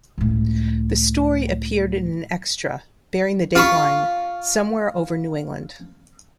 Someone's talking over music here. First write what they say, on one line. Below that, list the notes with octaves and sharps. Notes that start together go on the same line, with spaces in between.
The story appeared in an extra bearing the dateline "Somewhere Over New England".
C#2 A2
F4 B5 C#6